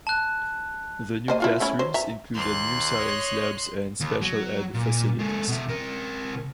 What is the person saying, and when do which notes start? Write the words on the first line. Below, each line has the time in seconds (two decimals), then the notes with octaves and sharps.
The new classrooms included new science labs and special-ed facilities.
0.07 A5 F#6
1.28 A#3 C5 D#5
1.40 E4 F4 F5
1.60 A3 C#4 E4
1.79 F#3 C5
1.94 E5 A#5
2.34 D#2 C6 F#6
2.98 C#5 D#5
4.00 D#2
4.21 F#3
4.74 A#2
5.19 G#3 A4
5.48 B2 E5
5.68 C3 A#4